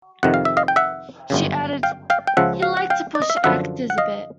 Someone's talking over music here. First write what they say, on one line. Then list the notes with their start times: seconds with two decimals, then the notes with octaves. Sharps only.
She added: "He liked to push actors a bit".
0.23 F2 C3 D#3 F#5
0.34 F5
0.45 E5
0.57 D#5 F5
0.68 G5
0.76 E5 F#5
1.30 G1 F#2 C#3
1.83 F5 G5
2.10 F5 G5
2.27 G5
2.37 C#2 C#3 F3 E5 F#5
2.62 F5
2.77 F#5
2.90 F5 G5
3.15 D5
3.22 D#5
3.30 E5
3.37 F5
3.44 F#2 D3 F3 E5 F#5
3.90 F#5
3.98 D#5 F5